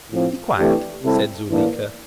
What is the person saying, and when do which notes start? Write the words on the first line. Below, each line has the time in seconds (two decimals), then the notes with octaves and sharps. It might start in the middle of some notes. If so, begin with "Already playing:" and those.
"Be quiet," said Zuleika.
0.11 A2 F3 C4
0.57 C3 E3 A3 D4 G4
1.03 C3 G3 C4 E4 A4
1.50 A2 E3 A#3 D4